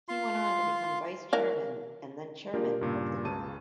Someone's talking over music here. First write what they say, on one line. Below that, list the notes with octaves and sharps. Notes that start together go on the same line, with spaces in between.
He went on to become vice-chairman and then chairman of the group.
F4 C6
E3 A#4 F5
A#3 D4 F4 G4 G#4 A#4
G2 A#2 C#3
C#2 C#3 A5 C#6 D#7